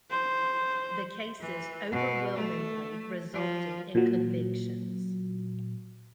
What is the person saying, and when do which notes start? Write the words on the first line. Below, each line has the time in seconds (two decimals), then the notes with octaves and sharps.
The cases overwhelmingly resulted in convictions.
0.11 C5
1.41 E3
1.92 B2
2.36 A3
3.34 F3
3.95 A#2 F#3